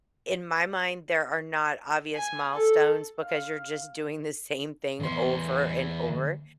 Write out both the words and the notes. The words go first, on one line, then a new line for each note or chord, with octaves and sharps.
in my mind, there are not obvious milestones, because you're just doing the same thing over and over.
G#5
A4
F5
E2 C6